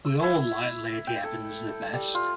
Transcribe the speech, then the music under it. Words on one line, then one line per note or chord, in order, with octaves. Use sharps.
We all liked Lady Evans the best.
E5
E4
G5
A4
G3
F4